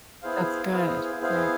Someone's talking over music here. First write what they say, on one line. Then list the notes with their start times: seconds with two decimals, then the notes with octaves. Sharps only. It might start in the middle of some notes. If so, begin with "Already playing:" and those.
That's good, yeah.
0.22 B3 E4 G#4 C5 F5
0.72 B3 E4 G#4 C5 F5
1.21 B3 E4 G#4 C5 F5